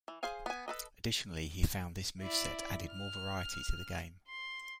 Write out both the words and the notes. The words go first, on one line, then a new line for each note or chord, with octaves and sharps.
Additionally, he found this moveset added more variety to the game.
E3
G#4 C5 F5 G#5
B3 G#5
A4 B4 D#5
E4 D5
F6
C6